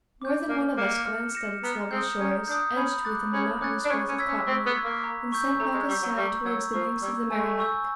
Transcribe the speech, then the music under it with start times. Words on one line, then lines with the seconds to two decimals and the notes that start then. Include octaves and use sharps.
More than one of us glanced at its level shores, edged with a monotonous growth of cottonwood, and sent back a sigh towards the banks of the Merrimack.
0.22 D6 G6
0.49 A#3 F6
0.77 A#3 A#6 C#7 E7
1.06 F6
1.35 A#6 C#7 E7
1.63 B3 A#5
1.91 C4 G6
1.95 D#6
2.19 C#4 A#5
2.48 D4 D#6 G6
2.76 C#4 B5
3.05 D6 F#6 A6
3.33 C#4 B5
3.61 C#4 D6 F#6 A6
3.85 D4
3.90 C#4 C#6
4.09 C#4
4.18 E6 G#6 B6
4.28 C#4
4.47 C4 C#6
4.66 B3
4.76 E6 G#6 B6
4.85 A#3
5.04 A#5
5.32 C#6 E6 G6
5.60 A3 A#5
5.74 G#3
5.88 G3 C#6 E6 G6
6.02 F#3
6.17 G3 C#6
6.45 F#3 E6 G#6
6.73 F3 C#6
7.02 G3 E6 G#6
7.30 A3 G#5
7.59 C#6 E6 G6